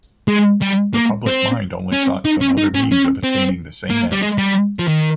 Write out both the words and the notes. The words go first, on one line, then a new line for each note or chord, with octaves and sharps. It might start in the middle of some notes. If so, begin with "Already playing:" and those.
The public mind only sought some other means of attaining the same end.
G#3
G3
A#3
C4
C#4
D#4
C#4
D#4
C#4
C#4
C4
A#3
G3
G#3
G3
F3
D#3